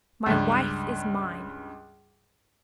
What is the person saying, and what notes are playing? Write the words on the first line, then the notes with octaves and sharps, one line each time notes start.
My wife is mine.
C#2 G2